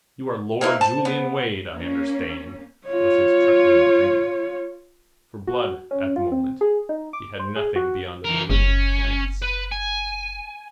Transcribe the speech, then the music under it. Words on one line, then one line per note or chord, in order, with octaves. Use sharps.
"You are Lord Julian Wade, I understand," was his truculent greeting. For Blood at the moment he had nothing beyond a malignant glance.
A#3 D#4 E4 C5
A5
B3
A#3 C#4
F4 C#5
F#4
C#4
F4
C4
G#4
D#4
D6
C5
G#4
F#4
E3 A#4
F#1 C#4
B4
G#5